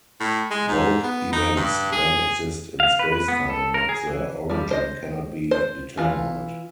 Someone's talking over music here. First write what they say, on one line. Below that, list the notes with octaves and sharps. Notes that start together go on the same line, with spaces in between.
Both events then exist in spacetime, but their origin cannot be determined.
A2
G#3
G#2
B3
D#4
G2
G#4
F5
B4
B4
B3
A4
A#4
G#4
E3
F3 G3
C5 D#5
C5
E3 F4